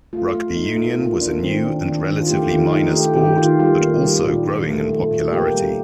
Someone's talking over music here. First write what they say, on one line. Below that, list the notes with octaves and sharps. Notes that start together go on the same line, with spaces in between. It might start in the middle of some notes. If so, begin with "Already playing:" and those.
Rugby union was a new and relatively minor sport, but also growing in popularity.
A3 F4
A3
A3 D#4
A#2
A#3 F4
A#3 D4
D#3 C4
D#3 D4
D#3 D4
D#3 D4
F4
A3 G4
D#3 F4
A3 D#4
A3 G4
D#3 G4
D#3 F4
G3 F4
A#3
G3
A#2
A#2
A3
A3
A#2
A#3 G4
G3